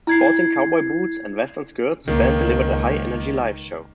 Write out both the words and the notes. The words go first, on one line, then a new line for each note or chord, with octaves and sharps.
Sporting cowboy boots and western skirts, the band delivered a high energy live show.
E4 G#6 C7
C#2 D#3 A#3